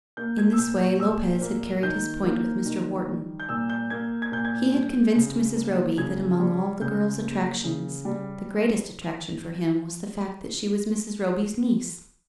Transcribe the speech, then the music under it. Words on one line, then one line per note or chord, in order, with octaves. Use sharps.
In this way Lopez had carried his point with Mr. Wharton. He had convinced Mrs. Roby that among all the girl's attractions the greatest attraction for him was the fact that she was Mrs. Roby's niece.
A#3 G6
G#6
E6
A#2 G6
C#6
A#2 E6
A#3
D#3 G6
A#3
D#3
G3
G6
A#2 E6
G6
A#3 G#6
G#6
A#2 G6
G#6
G3
C#3
A#3
C#3 G#6
G3
C#3 G6
A#3
C#3
G3